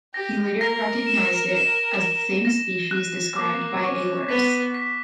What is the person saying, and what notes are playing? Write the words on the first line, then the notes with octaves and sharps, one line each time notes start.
He later recognised it as the same species described by Ehlers.
G4 A#6
A#4 A#6
E7
E7
E7
A#6
F#6
A#3 D6
C#4 C#6
B3 B6
B6